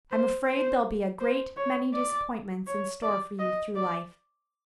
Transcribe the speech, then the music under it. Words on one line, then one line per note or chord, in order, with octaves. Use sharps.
"I'm afraid there'll be a great many disappointments in store for you through life."
C5
C5
C5
C#5
D5
C#5
D5
D#5
D5